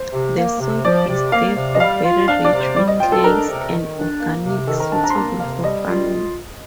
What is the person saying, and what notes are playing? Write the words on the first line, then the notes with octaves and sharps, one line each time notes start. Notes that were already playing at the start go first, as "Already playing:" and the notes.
The soil is, therefore, very rich with clays and organics, suitable for farming.
Already playing: C5
C3
A#3
C3
F3 D5
C3
A#3 F5
C3
D#5
G3 F5
F4
D4 F5
D5
C3
C5
G3 D5
D#5
F4 G5
A4
D4 A#4
C3
D#3
D4
A#3
C3
D#3 A4
A#4
D4 A5
A#5
C6
A#3 A#5
C3 F5
G3 D#5
F4